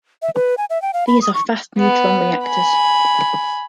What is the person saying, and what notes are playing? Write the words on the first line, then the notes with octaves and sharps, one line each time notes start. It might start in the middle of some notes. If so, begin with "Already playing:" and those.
These are fast-neutron reactors.
E5
B4
G#5
E5
G5
F5
B5
D#6
C#6
B3
G#5 B5